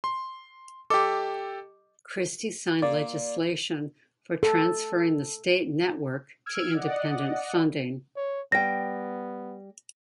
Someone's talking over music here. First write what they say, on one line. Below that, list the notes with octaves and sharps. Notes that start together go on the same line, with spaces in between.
Christie signed legislation for transferring the state network to independent funding.
C6
G4 A4 D#5 D6
A#2 D5
A4
E6 F6 G#6 D7
D5 D#5 F#5
C#5
G3 B3 G5 A#6